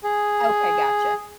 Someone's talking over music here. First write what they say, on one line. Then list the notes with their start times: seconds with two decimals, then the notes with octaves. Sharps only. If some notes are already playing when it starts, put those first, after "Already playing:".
Okay, gotcha.
0.04 G#4